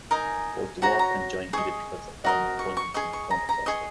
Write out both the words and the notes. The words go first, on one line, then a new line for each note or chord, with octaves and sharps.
Both dwarf and giant ellipticals are found in abundance in the Coma Cluster.
D#4 A#4 D#5 G#5
F#4 C#5 A#5
A#5
G#4 D#5 C#6
F#4 A#4 D#5
C#6
C#6
G#4 D#5 C#6
C#6
A#5
A#5
G#4 D#5 C#6